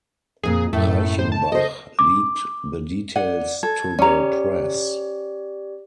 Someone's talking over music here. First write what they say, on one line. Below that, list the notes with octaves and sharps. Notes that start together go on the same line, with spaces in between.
Reichenbach leaked the details to the press.
F2 A#2 G#4
F#2 A2 A3
C5
A5
A4 C5 D#5
D6
D5 F#5
A4 G#6
C#4 G4 D5 A#5